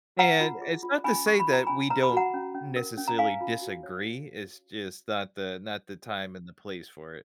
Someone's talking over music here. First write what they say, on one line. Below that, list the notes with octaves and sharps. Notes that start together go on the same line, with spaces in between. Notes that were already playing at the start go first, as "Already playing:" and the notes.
And it's not to say that we don't, necessarily, disagree, it's just not the not the time and the place for it.
B4 F#5 A#5
F4
G#4
F4
C#4 G#5 B5
C#4 C#6
B5
F4
A#5
C#4 G#5 B5
B4 A#5
B5
F#4 F#5 A#5
C#4
C#4
A#4
C#4
A#5
B4 F5 G#5
F4
F#4
C#5